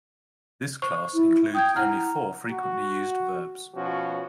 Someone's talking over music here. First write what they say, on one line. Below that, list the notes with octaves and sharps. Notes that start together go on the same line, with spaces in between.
This class includes only four frequently used verbs.
C5 C#6
E4
G5 D#6 G6 G#6
E4 F#5 A#5 F6
F#4
B2 F3 C#4 F#4